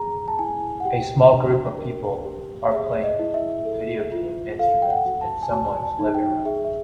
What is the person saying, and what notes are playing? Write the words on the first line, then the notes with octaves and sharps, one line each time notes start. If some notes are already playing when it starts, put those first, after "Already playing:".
A small group of people are playing video game instruments in someone 's living room.
Already playing: G#4 A#5
A5
E4 G#5
F#5
G4 G5
D4
A#4
G4
G#4 E5
D#5
E4
E5
A4
F4
A4 F5
G5
F#5
F#4
A5
G#5
F#4 A5
G#5
A5
D#4
G5
G#4 E5
E5